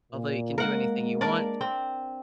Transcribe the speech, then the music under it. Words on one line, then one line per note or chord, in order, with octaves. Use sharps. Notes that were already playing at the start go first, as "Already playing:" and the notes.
although you can do anything you want,
A#2
G#3 A#3 A#4 F#5
D4 A#4 D5
C4